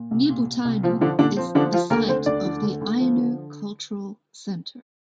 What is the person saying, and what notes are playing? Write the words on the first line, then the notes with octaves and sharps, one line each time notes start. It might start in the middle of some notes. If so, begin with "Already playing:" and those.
Nibutani is the site of the Ainu Cultural center.
Already playing: A#2
C2
A#2
A#2
C2
A#2 F3 F4
D3 F3 D4
A#2 D3 D4
F3 C4
D3 F3 D4
F3 F4
D2 A#3 A#4
D2 C4 C5
D2 D4 D5
D3
D2
D2
F3
D3